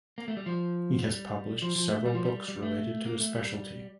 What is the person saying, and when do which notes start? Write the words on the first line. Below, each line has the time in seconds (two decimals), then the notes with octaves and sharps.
He has published several books relating to his speciality.
0.18 A#3
0.28 A3
0.37 G3
0.46 F3
1.04 G3
1.62 F3
1.76 F3
1.91 A3
2.06 G3
2.15 F3
2.24 G3
2.48 G3
2.62 A3
3.06 A#3
3.20 A3
3.35 G3